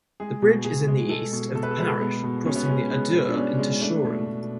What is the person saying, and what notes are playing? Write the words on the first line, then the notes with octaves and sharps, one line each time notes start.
The bridge is in the east of the parish, crossing the Adur into Shoreham.
G#3 G#4
B2
B2 G#4
G#3
G#3 A4
B2
B2 A4
B4
A4
G#3 B4
A4
G#3 B3
B2
B2 C#4
B3
G#3 C#4
G#3 B3
B2
D4
B2 C#4
G#3
A3 D4
B2
B2